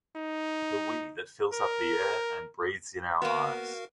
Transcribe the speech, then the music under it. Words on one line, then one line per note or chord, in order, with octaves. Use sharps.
The "we" that fills up the air and breathes in our eyes.
D#4
A#4
A#3 B3 F#4 A#4 F5